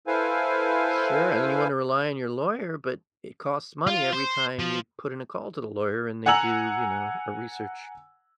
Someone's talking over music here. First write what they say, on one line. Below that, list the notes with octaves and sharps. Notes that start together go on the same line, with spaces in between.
Sure, and then you wanna rely on your lawyer, but it costs money every time you put in a call to the lawyer, and they do, you know, a research
E4 A4 B4 C5 F5 G#5
F4
C5
F3
F#5 G#5 A#5 E6 F#7